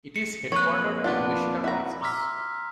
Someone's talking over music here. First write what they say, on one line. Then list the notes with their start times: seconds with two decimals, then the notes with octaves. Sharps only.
It is headquartered in Wichita, Kansas.
0.16 C#7
0.52 F2 A#3 B4 C#5 C#6 F#6
1.04 B3 D4 F4
1.64 E4 F#4 A#5
2.01 A#5 C6 D6 E6 F6 B6